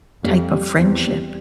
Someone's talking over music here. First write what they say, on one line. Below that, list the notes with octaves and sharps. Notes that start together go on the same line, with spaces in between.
type of friendship.
F2 G3
G3
E2 C4
G3